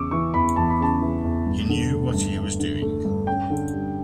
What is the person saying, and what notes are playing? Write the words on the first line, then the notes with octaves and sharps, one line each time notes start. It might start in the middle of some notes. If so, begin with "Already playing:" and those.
He knew what he was doing.
Already playing: E2 C#3 C#6 D6 E6
E3 C#6
E2 B5
E2 A5
B5
C#3 A5
E3
E2
G2
D3
A3
G2
G2
D3
A3
G2
C#4 G5
D3
G3